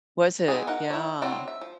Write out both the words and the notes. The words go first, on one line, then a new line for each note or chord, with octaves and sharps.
Was it, yeah,
D#3 B3 C4 G#4
D#4 A#4 F#5
E4 C#5
F#3 C4 D4 E4 F#4
E5
F3